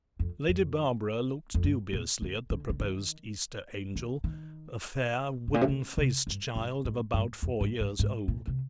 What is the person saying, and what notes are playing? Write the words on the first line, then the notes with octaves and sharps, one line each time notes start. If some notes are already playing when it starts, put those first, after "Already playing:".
Lady Barbara looked dubiously at the proposed Easter angel, a fair, wooden-faced child of about four years old.
F2
F2
F2
G2
A#2
D3
D3
D3
D#3
D#3
D#3
G#2
A#2
C3
D3
C3
G2
G2
G#2
G2
F2
G#2
G#2
G#2
A#2
C3